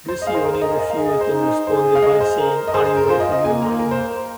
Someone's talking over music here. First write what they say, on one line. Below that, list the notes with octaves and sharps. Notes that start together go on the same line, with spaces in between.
Guccione refused and responded by saying Are you out of your mind?
C5
D#5
G#4 F5
C5
A#4
C5
A#4 D#5
D#5
F5
G#4 D#5
D#5
C5
D#4
G#4 C5
F5
D#5
C5
A#4
D#5
G#4 C5
C5
A#4
F4 C5
D#5
D#5
A#3 G#5
A#5
A#4
C5
A#4